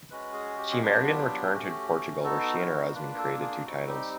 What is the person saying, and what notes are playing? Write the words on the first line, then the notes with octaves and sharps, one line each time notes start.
She married and returned to Portugal where she and her husband created two titles.
G#3 C#4 F#4 B4
G#4
G4
G#4
F#3 B3 D4 F4 G4
A3 C#4 F#4
B3 D#4 F#4 A4
A#4
A#3 D4 F4 B4
A4
G#4
G3 C4 D#4 F#4
G4